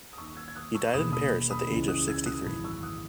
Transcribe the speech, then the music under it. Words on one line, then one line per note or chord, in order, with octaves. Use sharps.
He died in Paris at the age of sixty three.
D#6
D#2 D#3 C#6 E6
E6 G#6
G#6
D#6 F#6
C#6 E6
E1 D#2 D#3 B5 D#6
B5 D#6
B5 D#6
C#2 C#3 E3
D#6 F#6
E6 G#6
D#6 F#6
G#1 F#2 C#3 E3 B5 D#6
C#6 E6
D#6 F#6